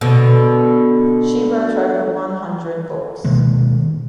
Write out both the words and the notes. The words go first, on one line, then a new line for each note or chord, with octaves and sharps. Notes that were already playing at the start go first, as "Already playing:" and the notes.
She wrote over one hundred books.
B2 D3
B2 D#3 G#3 A#3